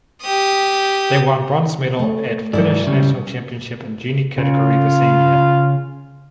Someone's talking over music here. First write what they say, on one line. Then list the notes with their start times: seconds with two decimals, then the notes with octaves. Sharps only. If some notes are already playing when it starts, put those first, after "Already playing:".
They won bronze medal at Finnish National Championship in junior category the same year.
0.22 G4 D#6
1.99 A3
2.53 G#2 F#3 E4 D5
2.87 C#3 G3
4.38 C#3 F4